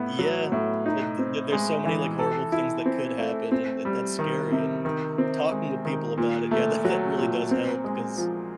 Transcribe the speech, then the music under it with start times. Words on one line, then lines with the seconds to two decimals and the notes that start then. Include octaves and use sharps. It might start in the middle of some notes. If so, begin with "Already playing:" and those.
Yeah, tha th th there's so many, like, horrible things that could happen, and th that's scary, and talking with people about it, yeah, that that really does help 'cause
Already playing: A2 B3
0.19 F#3
0.52 A2
0.86 D#4
1.19 C4
1.52 G#3
1.85 E3
2.19 A4
2.52 E4
2.86 C4
3.19 A3
3.52 C4
3.85 G3
4.19 D#3
4.52 C3
4.85 D#3
5.18 C4
5.51 G#3
5.85 D#3
6.18 A#2
6.51 A3
6.85 F#3
7.18 A#2
7.51 C4
7.84 G#3
8.17 F3